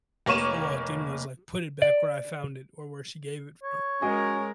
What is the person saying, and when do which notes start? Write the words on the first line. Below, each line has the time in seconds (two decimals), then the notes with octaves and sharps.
or walked in was, like, put it back where I found it or where she gave it from.
0.26 F1 A#3 C#5 C#6 D#7 E7
1.82 D5
3.63 C#5
4.02 G#3 C#4 F#4 G#4 A#4 D#5